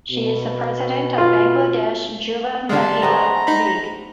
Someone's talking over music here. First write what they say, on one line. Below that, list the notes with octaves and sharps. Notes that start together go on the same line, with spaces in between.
She is the President of Bangladesh Juba Mahila League.
B2
F4
D3 G3 G#3 D4 F4
A5
A3 B3 C4 A#5
D#4 B5